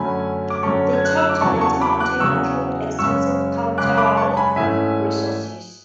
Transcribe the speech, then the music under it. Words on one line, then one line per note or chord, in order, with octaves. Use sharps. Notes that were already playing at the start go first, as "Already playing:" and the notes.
The Tortolita Mountains include extensive cultural resources.
Already playing: F#2 D3 F#3 A3 C#4 G#5 B5
D6
F#2 D3 F#3 A3 C#4 A5 C#6
G#6
F#6
E6
D6
E2 C#3 F#3 A5 C#6
A5 C#6
B5 D6
D6 F#6
E2 C#3 F#3 C#6 E6
F#2 C#3 G#3 C#4 C#6 E6
F#2 C#3 G#3 C#4 D6 F#6
B5 D6
A5 C#6
A5
G#5 B5
G#2 E3 A3 C#4 E5 G#5